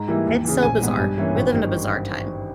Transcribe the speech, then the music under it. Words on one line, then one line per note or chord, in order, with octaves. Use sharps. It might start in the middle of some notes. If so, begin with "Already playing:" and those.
it's so bizarre. We live in a bizarre time.
Already playing: G#2 A#5
E3 G3 A#3 E4
D#2
C#3 E3
A#1 G#5
G#2 G3 B3
G2
E3 A#3 C#4 E4
G#1
G2 D#3